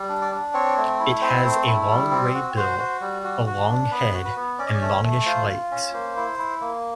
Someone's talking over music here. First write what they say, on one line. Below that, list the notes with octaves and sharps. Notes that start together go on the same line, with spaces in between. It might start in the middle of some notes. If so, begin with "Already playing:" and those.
It has a long grey bill, a long head, and longish legs.
Already playing: G3
D4
D5
D4
C4 C#5
A3
E4
C4 C5
A3
E4
G3
C4
F#4
F#4 C5
F#4
G3
F#4
F#4
D4
B3 B4
F#4
B4
B3
C#4 D5
D#5
D5
A3
A3
F4 C5
F4
C#4
A#3 C5
E4
E4
A#3